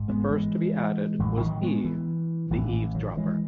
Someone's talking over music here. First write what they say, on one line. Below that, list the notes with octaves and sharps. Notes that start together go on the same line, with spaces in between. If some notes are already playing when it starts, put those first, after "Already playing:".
The first to be added was Eve, the eavesdropper.
Already playing: G#1 G#2
G#3 B3
E3 G#3
A1 A2 E3
D#3 F#3
G#3 B3
E3
A1 A2 E3
E3
D#3 F#3
E3 G#3